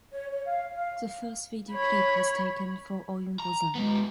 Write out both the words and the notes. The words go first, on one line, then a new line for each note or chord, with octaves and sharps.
The first video clip was taken for "Oyunbozan".
C#5
C#5
F5
F5
C#5 B5
A#5
G#3 B3